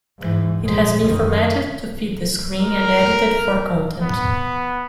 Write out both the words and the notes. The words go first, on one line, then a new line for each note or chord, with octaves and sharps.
It has been formatted to fit this screen and edited for content.
G#2 E3
A#1 G#3
F#2 D#3
A#4
B3